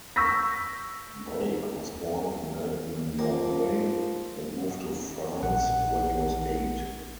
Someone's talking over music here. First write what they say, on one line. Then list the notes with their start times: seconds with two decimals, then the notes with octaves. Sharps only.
Brake was born in Melton Mowbray and moved to France when he was eight.
0.16 C#6 E6 G6 A#6 B6
3.19 F3 A#3
5.42 A#1 F#5